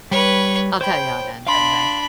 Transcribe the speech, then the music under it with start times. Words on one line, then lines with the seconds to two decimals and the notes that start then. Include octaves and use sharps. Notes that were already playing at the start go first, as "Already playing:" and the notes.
I'll tell you how it ends anyway.
0.11 G3 B4 C#5
0.81 C5 C#5 G5 B5
1.47 D4 F5 B5 C6